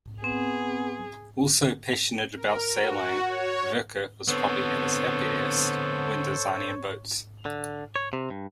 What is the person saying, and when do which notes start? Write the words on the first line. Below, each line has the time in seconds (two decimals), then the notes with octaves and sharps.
Also passionate about sailing, Vereker was probably at his happiest when designing boats.
0.24 B3 C4 G#4
2.35 A#4
2.73 F#4
3.24 C#5
4.28 D3 B3 C4 A4 C5 C#5
7.46 D3
7.96 C#5
8.13 C3
8.30 G2